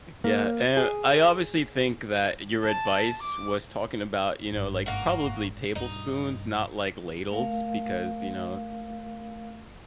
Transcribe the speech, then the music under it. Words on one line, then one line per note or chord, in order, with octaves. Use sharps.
Yeah, and I obviously think that your advice was talking about, you know, like, probably tablespoons, not, like, ladles because, you know,
A#3
G#4
A5
D6
G1 G#2
A#3 F#4
B1 G2 D#4
A3 A#4 F5